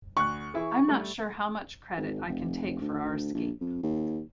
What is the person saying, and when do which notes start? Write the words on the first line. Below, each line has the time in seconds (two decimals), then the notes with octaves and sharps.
I'm not sure how much credit I can take for our escape.
0.17 D2 C#6 F#6
0.54 E3 E4 G#4
0.88 G3 A3
1.98 G#1
2.28 F1
2.81 D2
3.35 A#1
3.61 F2
3.83 D#2